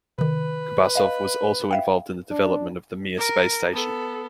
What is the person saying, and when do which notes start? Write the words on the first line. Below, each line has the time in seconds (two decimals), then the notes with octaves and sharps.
Kubasov was also involved in the development of the Mir space station.
0.19 C3 D#3 B4
0.95 D#5 F5
1.71 E5 F5 G5
2.31 D4
3.17 A#4
3.72 B3 A4